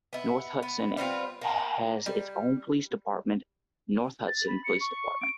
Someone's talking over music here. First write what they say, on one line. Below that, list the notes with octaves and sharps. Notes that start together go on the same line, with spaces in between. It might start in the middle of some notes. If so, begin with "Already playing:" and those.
North Hudson has its own Police Department, North Hudson Police Department.
B3 E4
B3
G3 B3 C4 F4
A#3
G3
A6
B5
C#7
C#6
D7